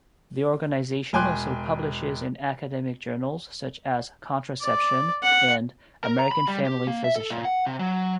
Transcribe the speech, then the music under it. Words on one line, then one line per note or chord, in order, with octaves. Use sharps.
The organization also publishes in academic journals such as "Contraception" and "American Family Physician".
E1 G5 G#5 C6 D6 F#6
D5
F#5
A#4
A#5
B5
G3
G4
A#3
E5
A4
A#2
F#5
C3
F#3